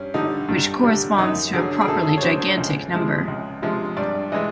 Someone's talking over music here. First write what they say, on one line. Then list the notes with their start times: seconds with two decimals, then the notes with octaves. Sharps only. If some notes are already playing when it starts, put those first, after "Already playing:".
Which corresponds to a properly gigantic number.
Already playing: G2 C#4
0.14 D3 G3 D#4
0.49 G2
0.84 D3 G3
1.18 F#2 D#4
1.53 D3 F#3 G#4
1.81 G#4
1.88 F#2 A4
2.05 A4
2.18 C#5
2.23 D3 F#3 C5
2.40 C#5
2.58 C#2
2.93 C3 F3 G#3
3.28 C#2
3.62 C3 F3 G#3
3.97 G2 D5
4.32 E3 G#3 D#5